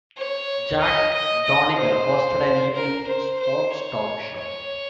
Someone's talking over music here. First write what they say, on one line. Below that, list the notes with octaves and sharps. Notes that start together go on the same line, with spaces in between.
Jack Donniger hosted an evening sports-talk show.
C#5
D#5
D#5
D#5
C5
A#4
C5
C5
C#5
C#5